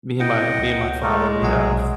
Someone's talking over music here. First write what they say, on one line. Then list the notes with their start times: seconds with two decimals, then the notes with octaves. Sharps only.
me and my me and my father, we have
0.20 C4 E4 D#5 F#5 G5
0.59 C#2
1.03 G#3 A3 A4 A#4
1.42 B1 C3 F#3 G#4 F#5